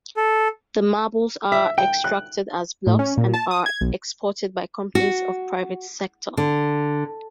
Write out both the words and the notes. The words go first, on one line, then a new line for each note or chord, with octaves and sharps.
The marbles are extracted as blocks and are exported by companies of private sector.
A4
E5
G5
F#6
A2
C#4
A#2
A5
D#6
G#6
B1
F#4
D3